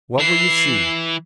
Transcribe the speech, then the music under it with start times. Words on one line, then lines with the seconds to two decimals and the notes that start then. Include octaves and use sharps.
What will you see?
0.19 E3 E4 C7